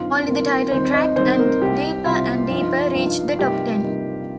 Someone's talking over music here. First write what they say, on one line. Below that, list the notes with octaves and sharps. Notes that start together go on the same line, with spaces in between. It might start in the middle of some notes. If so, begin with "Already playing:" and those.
Only the title track and "Deeper and Deeper" reached the top ten.
Already playing: G2 D#3 C4 D#4 F4 F5
G2 D#3 A#3 C4 D#4 A#4
D#2 D#3 G3 C4 D#4 C5
D#4 D#5
D#2 D#3 G3 C4 D#4 C5
A#3 A#4
C2 C3 G3 G4
C2 C3 G3 F4
G2 F3 D#4
G2 F3 D#4
C3 G3 A#3 D#4 G4
C3 G3 A#3 D#4